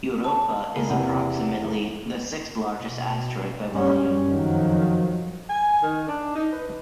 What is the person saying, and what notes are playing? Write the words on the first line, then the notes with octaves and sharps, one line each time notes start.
Europa is approximately the sixth largest asteroid by volume.
A5
C#2 A#3 G#4 B5
E2 C3 E4
B2
F#2 G3 C#4
F2 D#3 F3 F#3
G#5
D#3
D4
D#4
B4